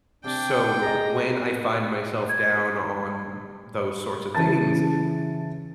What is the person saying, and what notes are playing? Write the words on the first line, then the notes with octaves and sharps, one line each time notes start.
so when I find myself down on those sorts of things,
C3 D4 G5
G#4 D#5 A#5
G#6
C#3 E3 A5 A6